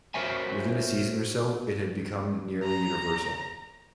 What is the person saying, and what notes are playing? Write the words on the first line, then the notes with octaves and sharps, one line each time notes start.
Within a season or so, it had become nearly universal.
F#4 A#4 C5 C#5 E5 G#5
A#5